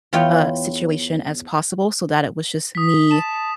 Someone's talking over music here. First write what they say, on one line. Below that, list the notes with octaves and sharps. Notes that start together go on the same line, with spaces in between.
uh, situation as possible so that it was just me f
E2 B3 F4 C#5 G5
D#6 B6
A5 E7